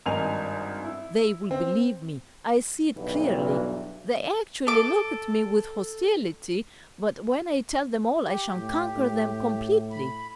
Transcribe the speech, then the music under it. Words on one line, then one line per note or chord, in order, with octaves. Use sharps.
They will believe me, I see it clearly; they actually look at me with hostility, but when I tell them all I shall conquer them completely.
G#1 G2 A#4 D#5 G#5 F7
E4
C4
B1 E2 G2 B2 E3
A4 D6
G4
A2
A2
B5